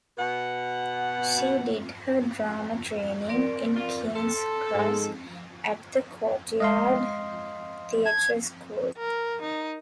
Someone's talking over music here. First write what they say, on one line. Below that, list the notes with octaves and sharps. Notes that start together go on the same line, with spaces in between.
She did her drama training in King's Cross, at the Courtyard Theatre School.
B2 F#5
C4 A#4 D5
F4
A4 A5 C6
G#2 G#3
G#3 D#5 F5 C6
A5 G#6
A#4
D#4